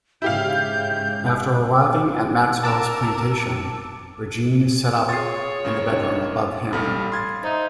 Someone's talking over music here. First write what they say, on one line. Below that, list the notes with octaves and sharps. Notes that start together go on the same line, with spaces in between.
After arriving at Maxwell's plantation, Regine is set up in the bedroom above Hammond.
G#2 C#3 E4 G4 F5 G6
A#4 A5 D6 E6
F4 G#4 C#5 C#6 D#6 A6 C7
C#3 A#3
C#4 D#4
A1 G3 A4 F5 B5 D#6
C6 G#6 A6
D#4 C5 E5